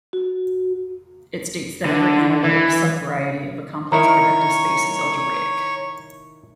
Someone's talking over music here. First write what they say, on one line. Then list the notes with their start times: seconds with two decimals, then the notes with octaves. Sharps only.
It states that every analytic subvariety of a complex projective space is algebraic.
0.13 F#4
1.85 D3
2.43 E3
3.92 D#3 E4 A#4 C#5 A#5 C#6